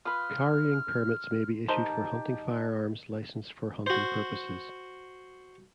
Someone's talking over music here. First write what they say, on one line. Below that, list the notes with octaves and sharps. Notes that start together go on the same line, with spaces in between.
Carrying permits may be issued for hunting firearms licensed for hunting purposes.
F4 B4 C6 D#6 F6
D#4 G4 A#4 C5 A5
F#4 C5